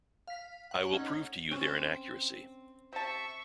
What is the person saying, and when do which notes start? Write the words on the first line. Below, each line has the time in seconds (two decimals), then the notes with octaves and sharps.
I will prove to you their inaccuracy.
0.27 F5 B6
0.71 C#5 F#5
0.92 A3 C#4 D#4
1.51 C4 C#4
2.93 C3 E5 A5 C#6